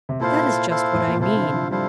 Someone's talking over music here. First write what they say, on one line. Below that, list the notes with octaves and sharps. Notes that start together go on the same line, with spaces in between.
"That is just what I mean."
C3
A#2 E4 A4 C5 F5
E4 A4 C5 F5
A2
A#2
C3 E4 A4 C5 F5
D3
F3
G3 E4 A4 C5 F5